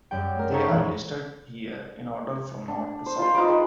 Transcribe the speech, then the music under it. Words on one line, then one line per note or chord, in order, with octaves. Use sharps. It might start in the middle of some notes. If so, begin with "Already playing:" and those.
They are listed here in order from north to south.
F#2 G3 G5
A#4
D#4 A4 C5 C#5 A#5
E1 A#1 E3 B4
D4
C5
F4 C5
D#4 F4 B4 D6
G#3